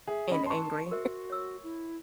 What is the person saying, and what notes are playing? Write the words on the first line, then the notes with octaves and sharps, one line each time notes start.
And angry.
G#4 E5
C#4 D#5 B5
A5 C6 C#6
F#4 A#4 C5 E5
C#5 E6
E4